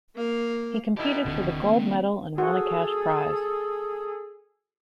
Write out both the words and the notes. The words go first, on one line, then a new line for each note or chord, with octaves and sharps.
He competed for the gold medal and won a cash prize.
A#3 F5
B2 G3 E4 G4 A#4
D1 D3 D#3 C4 D4
A#3 C4
F#4 G#4 A4